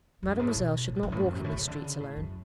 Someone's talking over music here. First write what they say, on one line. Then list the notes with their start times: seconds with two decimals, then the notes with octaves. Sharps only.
Mademoiselle should not walk in these streets alone.
0.23 F2
0.31 F#2
0.39 G#2
0.47 A2
0.55 B2
0.87 A2
0.96 G#2
1.03 F#2
1.12 A2
1.20 F#2
1.28 F2
1.35 F#2
1.44 A2
1.52 C#3
1.67 D3
1.84 C#3
2.00 A2
2.17 F#2